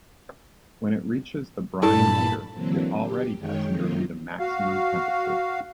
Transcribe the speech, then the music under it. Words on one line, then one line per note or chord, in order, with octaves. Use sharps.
When it reaches the brine heater it already has nearly the maximum temperature.
G2 A#2 E4 A4 A5 B5
D3 E3 F#3 A#3 C4
G4
F#2 D#3 G#3 C#5 G5
C3 D#3 A#3 F4
F#4 F5